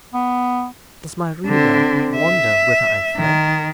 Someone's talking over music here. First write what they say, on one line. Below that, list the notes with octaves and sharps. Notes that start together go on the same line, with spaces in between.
Does my reader wonder whither I fled?
B3
D3 C4
E5
D#3